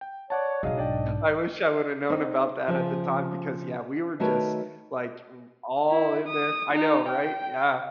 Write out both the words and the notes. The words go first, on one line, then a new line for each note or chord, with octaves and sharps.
I wish I woulda known about that at the time because, yeah, we were just, like, w all in there. I know, right? Yeah.
G5
C#5 D5 F#5 A5
B1 G#2 F#3 G#4 D#5 F5
D4 D5 G5
C4 D#4
C#3 F3
D#3 A3 F#4 A#4 B4 C#5
E4
D#6
D#4
G5